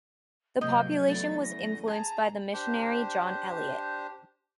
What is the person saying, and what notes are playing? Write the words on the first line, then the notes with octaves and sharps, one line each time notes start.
The population was influenced by the missionary John Eliot.
G#2 C3 F3 F#3 A#3 D#5 G6
E2 C#3 A3 A6
A#6
G#4 A5 A#5
D4 G4 C5